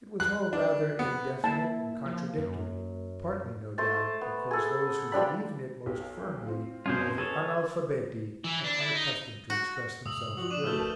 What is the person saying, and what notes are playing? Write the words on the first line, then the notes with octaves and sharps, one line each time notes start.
It was all rather indefinite and contradictory, partly, no doubt, because those who believe in it most firmly are the analfabeti and unaccustomed to express themselves clearly.
F#6
D4
B3
A#3 E4 A5
F3
F#2
A3 C5 A5
B3
G#4 A4
F3 G3 D4 B5
B1 G4
C4 F4
F#2 B2 F4 G#4 C5
G#4 A4 B4 C#5
E3
D4
E4
D#4
F#4
G2 C3 G#3 D#6 E6 F#7
F3 F4 F#4 D#6 F#7
D4 D6 D#7 E7
A#2 C#3 A3 D#4 F#4 E6 F6 G6
G1 D4 A#4 B4 A5